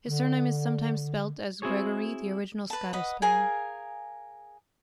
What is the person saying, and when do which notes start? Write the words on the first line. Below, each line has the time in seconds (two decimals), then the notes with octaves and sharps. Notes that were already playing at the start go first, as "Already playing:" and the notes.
His surname is sometimes spelt as Gregorie, the original Scottish spelling.
0.06 D3
1.62 C4 E4 F#4 G#4 C#5
2.70 B4 A5
2.93 B4 D#5 F#5
3.22 G#4 A#4 F5 G#5